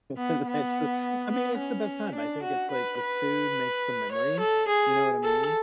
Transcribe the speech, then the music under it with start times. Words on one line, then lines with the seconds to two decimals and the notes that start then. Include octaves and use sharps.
That's so I mean, it's the best time. I think it's, like, the food makes the memories. You know what I mean?
0.18 B3
0.47 B3
1.30 B3
1.58 C#4
2.15 D4
2.43 F#4
2.72 B4
3.00 B4
4.12 C#5
4.40 A4
4.68 G#4
5.24 A4